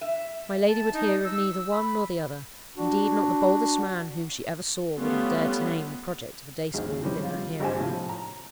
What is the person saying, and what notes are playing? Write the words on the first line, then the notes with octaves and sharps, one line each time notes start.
My lady would hear of neither one nor the other: indeed, not the boldest man whom she ever saw would have dared to name the project of a day-school within her hearing.
E5
A5
D#4
E6
B5
D4 F#4
G3 A3 B3 C#4 F4
G#1 D#2 G#4
C3 E3 G3 G#3 C#4
G3 F4
G#1 F3 G4 C5 D#5 G#5
A2 C3 F3
A#5